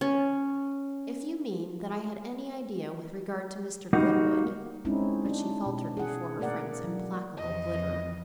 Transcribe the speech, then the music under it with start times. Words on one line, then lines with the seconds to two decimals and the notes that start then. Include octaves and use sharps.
"If you mean that I had any idea with regard to Mr. Goodwood--!" But she faltered before her friend's implacable glitter.
0.01 C#4
3.93 G3 A#3 D#4 F#4
4.85 G#3 C4 C#4 D#4 E4
5.26 D4
5.66 B2
5.97 G#4 F#5
6.40 A3 A#3 A#4 D5 F#5
6.84 F#3
7.37 F2 E3 D#5